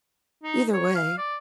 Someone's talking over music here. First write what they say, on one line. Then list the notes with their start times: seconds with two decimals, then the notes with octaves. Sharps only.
either way,
0.43 D#4
0.73 C#5
0.95 F5
1.18 D5